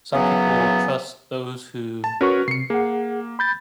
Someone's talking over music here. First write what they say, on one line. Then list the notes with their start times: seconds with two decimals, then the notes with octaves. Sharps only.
Some people trust those who
0.14 F#2 C#3 E3 F#3 B3
2.04 A5
2.21 C#4 F#4 A#4 B4 C#5 C#6
2.48 C3 C7 C#7
2.70 A#3 G#4 F#5
3.39 B5 G6 A6